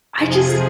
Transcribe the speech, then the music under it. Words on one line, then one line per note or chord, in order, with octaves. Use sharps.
I just
F2 C3 F3 G#4